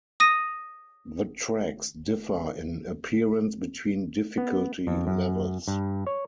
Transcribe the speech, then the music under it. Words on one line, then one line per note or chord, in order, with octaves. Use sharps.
The tracks differ in appearance between difficulty levels.
D#6 A#6 D#7
B3
F2
F#2
G2
C#5